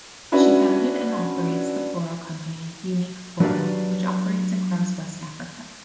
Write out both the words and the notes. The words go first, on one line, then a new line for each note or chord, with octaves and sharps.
She founded and operates the floral company "Unique Floral" which operates across West Africa.
C#4 D4 E4 F#4 B4
F#3 D4 G4 B4 D5 F5